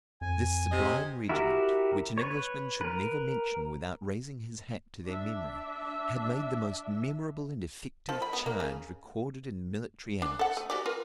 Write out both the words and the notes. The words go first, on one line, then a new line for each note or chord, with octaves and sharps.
This sublime regiment, which an Englishman should never mention without raising his hat to their memory, had made the most memorable and effective charge recorded in military annals.
F2 G#5
C3 D#5
E4 F#4 G4 A#4 F#5
B4 C#5
A#4 B4
D4 E5
F3
B5
B3
A#3
C#3
D4
A4 F#5
A3
F#4 G4 D5
F4 A#4 B4